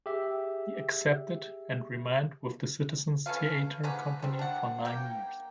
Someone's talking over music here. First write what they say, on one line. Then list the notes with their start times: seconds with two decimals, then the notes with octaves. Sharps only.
He accepted, and remained with the Citizens Theatre company for nine years.
0.06 G4 G#4 E5
3.26 C#4 A4 B4 F5
3.84 D3 G#3 D#4 B4
4.22 G3 C4
4.39 D4 F#5
4.85 A#3 G5